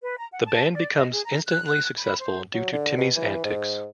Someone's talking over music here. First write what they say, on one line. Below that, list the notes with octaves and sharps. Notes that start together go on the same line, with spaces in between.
The band becomes instantly successful due to Timmy's antics.
B4
A#5
F#5
A5
D5
D#5
G#4
A#5
F#6
B5
C5
F#3
D3
B2
E3
G#2